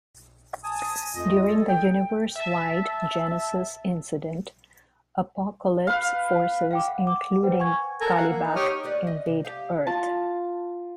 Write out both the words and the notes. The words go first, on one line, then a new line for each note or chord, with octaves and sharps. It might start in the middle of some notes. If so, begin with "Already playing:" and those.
During the universe-wide "Genesis" incident, Apokolips forces, including Kalibak, invade Earth.
G#5 A5 D#6
F2 A3 F4 D#5
G3 G#4 A4
G5
E5 A5
B4 F5
F5 G5 D6
F#5
D6
B4 C5 F#5 G5
G#5 C#6 G#6
A4 A#4 G#5 A#5
F5 F#5
A#3
D#4
G4 C#5 D#6 F6
D#2 B4 D5
D#5
C3
G4 F5
F4 A5